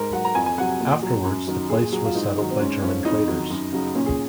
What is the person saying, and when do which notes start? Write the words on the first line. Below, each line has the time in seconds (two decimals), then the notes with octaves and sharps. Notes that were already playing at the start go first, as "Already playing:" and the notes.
Afterwards the place was settled by German traders.
Already playing: G#2 A#4
0.13 F#3 F#5
0.25 A#5
0.35 F2 G#5
0.46 G#5
0.58 C3 F#3 F#5
0.80 A#2
1.03 F#3
1.25 F#2
1.47 D#3 F#3
1.70 A#2 G#4
1.92 F#3 G#4
2.05 F4
2.15 G#2 D#4
2.38 D#3 F#3
2.51 C4
2.60 G#2 C#4
2.83 F3 C#4
3.05 F2 D#4
3.28 D#3 F#3
3.50 F#2
3.72 C#3 F#3
3.95 A#2 C#4
4.06 G#4